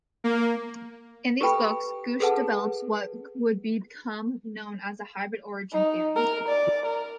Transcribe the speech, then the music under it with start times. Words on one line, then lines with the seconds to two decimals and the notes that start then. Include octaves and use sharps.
In these books, Gooch develops what would become known as the "hybrid-origin theory".
0.24 A#3
1.41 G4 A4 B4 G5 B5
2.20 G#4 A4 B4 F#5 A5
5.72 D#4
6.16 A#4
6.48 D5
6.86 A#4